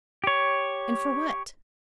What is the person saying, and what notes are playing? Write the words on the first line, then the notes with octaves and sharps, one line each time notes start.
"And for what?"
G4 C#5